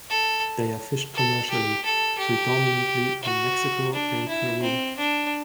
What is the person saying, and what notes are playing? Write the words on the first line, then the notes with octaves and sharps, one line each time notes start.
They are fished commercially, predominantly in Mexico and Peru.
A4
A4
G4
A4
G4
F#4
D4
E4
C4
D4